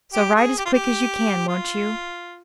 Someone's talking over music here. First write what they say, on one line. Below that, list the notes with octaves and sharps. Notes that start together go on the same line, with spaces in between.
So write as quick as you can, won't you?
G4
G#4
G4
F4
G4
F4